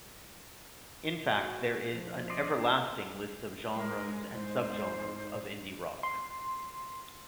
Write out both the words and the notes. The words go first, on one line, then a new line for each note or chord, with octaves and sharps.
In fact, there is an everlasting list of genres and subgenres of indie rock.
F#4
F3
D5 D#5 C6
D4
G#3 A#4
G#2 C5
C6